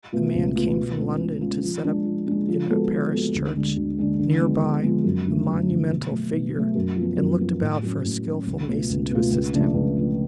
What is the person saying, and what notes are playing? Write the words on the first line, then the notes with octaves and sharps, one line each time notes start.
A man came from London to set up in a parish church near by a monumental figure, and looked about for a skillful mason to assist him.
B2 A3 F4
C#2
B2 A3 F4
B2
G#3 C#4 F4
B2
G#3 C#4 F4
F3
G#3 D4
F3
G#3 D4
F3
G#3 B3 F#4 A4
F3
G#3 B3 F#4 A4
D2
D3 G#3 D4
D2
D3 G#3 D4
D3
F3 G#3 B3
D3
F3 G#3 B3
F#2
D3 F3 A3
F#2
D3 F3 A3
B2
F#3 A3
B2
F#3 A3
F#2
F3 B3
F#2
F3 B3
A2
F#3 C#4
A2
F#3 C#4
C#2
B2 A3 F4
C#2
B2 A3 F4
C#2
C#3 F3 A3 D4
C#2
C#3 F3 A3 D4